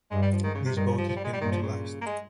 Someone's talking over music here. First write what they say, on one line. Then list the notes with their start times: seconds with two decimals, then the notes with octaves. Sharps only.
This boat is built to last.
0.11 G2 G#3
0.22 G3
0.32 F3
0.43 G#2 D#3
0.54 C#3
0.65 C3
0.76 G2 D#3
0.87 F3
0.97 F3
1.09 F3
1.16 G3
1.24 G#3
1.33 G3
1.40 G2 A#2 D#3
1.51 F3
1.62 C#3
2.01 A#3
2.05 G#3